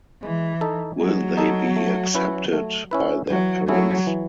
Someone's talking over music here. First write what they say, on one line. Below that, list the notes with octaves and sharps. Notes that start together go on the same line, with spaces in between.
Will they be accepted by their parents?
E3 G#3
D#4 A4
F#3 G#3
D#4 A4
A3
C#4 E4 B4
A3
C#4 E4 B4
E3 F#3
F#3 A3 C#4 E4 G#4
E3